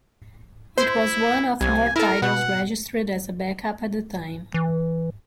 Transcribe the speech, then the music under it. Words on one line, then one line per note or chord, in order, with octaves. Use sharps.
It was one of more titles registered as a backup at the time.
E4 C5
C2 G#5
E4 A4 A#4
B2 F#5
E3